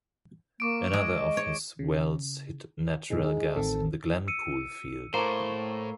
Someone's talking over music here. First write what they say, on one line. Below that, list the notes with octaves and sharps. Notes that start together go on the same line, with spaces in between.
Another of his wells hit natural gas in the Glenn Pool field.
A#3 C#6 D6 D7
G#3 D#5
C#5
C#3
F#2 B2 D#3 G#3
G#3 D#4
A1 D#3 C4 A4
E6 C#7 D#7
A2 A#3 A4 C5 C#6 C7